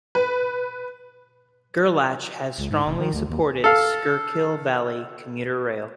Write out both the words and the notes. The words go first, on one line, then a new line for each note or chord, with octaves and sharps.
Gerlach has strongly supported Schuylkill Valley commuter rail.
B4
C#2
G#2
F1
D#3
D2
D#2
A4 F5